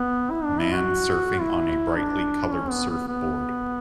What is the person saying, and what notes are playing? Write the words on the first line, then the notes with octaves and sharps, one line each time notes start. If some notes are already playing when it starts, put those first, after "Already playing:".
Man surfing on a brightly colored surfboard.
Already playing: B3
E4
D4
E4
F#4
E4
D4
C#4
B3
B3
B3